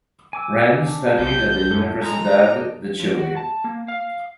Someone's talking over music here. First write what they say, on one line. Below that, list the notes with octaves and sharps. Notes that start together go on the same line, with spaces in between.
Renz studied at the Universidad de Chile.
G#5 D6 E6
D4
B1 G6
F#2 A4
G#3 A#5
D#4 A#4 D5
F2
F#4
A5
A#3
F5